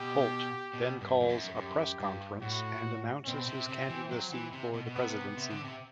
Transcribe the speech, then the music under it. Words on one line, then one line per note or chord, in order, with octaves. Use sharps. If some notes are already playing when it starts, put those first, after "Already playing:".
"Holt" then calls a press conference and announces his candidacy for the presidency.
Already playing: B2 G4
B2
G2
E2
F#2
F#2 G4
G2
A2 F#4
B2 C4
C3
C3
E3
F#3
E3
C3
B2
B2
C3 B3
C3
D3
C3